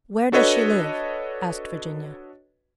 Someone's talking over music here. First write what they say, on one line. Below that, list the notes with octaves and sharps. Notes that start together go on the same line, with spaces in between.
"Where does she live?" asked Virginia.
D4 F#4 A4 B4 C#5 D#5